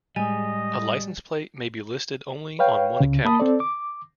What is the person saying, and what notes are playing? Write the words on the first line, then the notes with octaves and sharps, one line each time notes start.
A license plate may be listed only on one account.
A2 G3 G#3 D#5 G#5
B4 C#5 F5 G5
C#2 C#3
A#3 A5 B5 D#6
C4 A4 D5
D6